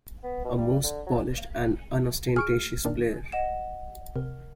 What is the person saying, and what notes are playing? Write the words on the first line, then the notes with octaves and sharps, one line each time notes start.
A most polished and unostentatious player.
B3
B2
G3
D3
F#3
G#4 C#6 F6 D7
A#2 D#3 D4
D#5 F#5 E7
C3 A#4